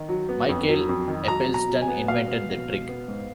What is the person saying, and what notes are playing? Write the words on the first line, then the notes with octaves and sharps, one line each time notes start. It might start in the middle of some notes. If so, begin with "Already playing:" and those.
Michael Eppelstun invented the trick.
Already playing: D#3
F#3
B3
F2
F#3
F2
D#3
F#3 A#5
B2
A#5
F#3
G#5
B3
B2 F5
B3
B2
B2
B3
G#2